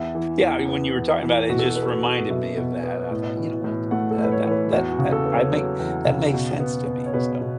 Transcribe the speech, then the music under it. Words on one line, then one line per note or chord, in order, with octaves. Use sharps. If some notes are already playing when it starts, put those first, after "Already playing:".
Yeah, I mean when you were talking about it, it just reminded me of that. I thought, you know what? That that that that I make that makes sense to me so
Already playing: E2 E5
E3
E2
B3
E2
E3
B2 F#4
A4
F#4
B3 B4
A4
F#4
B3
B2 E5
B2
B3
A2
E3
A2
A3 F#5
A4
A2
B4
C#5
E3 C#5
B4
E2 F#4
F#4
C#3
A4
B3
C#5
F#3
E2
C#3
B2
B3
B3
C#5
B2 B4
B2